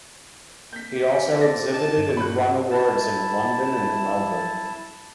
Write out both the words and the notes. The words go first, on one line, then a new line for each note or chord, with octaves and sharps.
He also exhibited and won awards in London and Melbourne.
G6 B6
G4
C5 A5 D6 A6 A#6
D#5 A5 D6
G2
F#4 B5 F#6
E4 A5